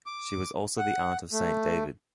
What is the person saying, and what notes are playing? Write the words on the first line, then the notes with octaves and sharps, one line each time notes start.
She was also the aunt of Saint David.
D6
F#5
A3